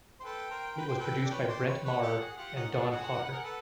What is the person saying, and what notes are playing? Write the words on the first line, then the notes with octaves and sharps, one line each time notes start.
It was produced by Brent Maher and Don Potter.
C5
A4 B4 G5
A#4 C5
B4
C5
A4 B4
D5
B4 C#5
C5 D5
B4 C#5
B4 C#5 F#5
G4 A4
F#4 G#4
F4 G4 F#5
C#4 D#4
C4 D4
A4
F#4 G#4 F#5
A#4
B4
G#4 A#4
A4 B4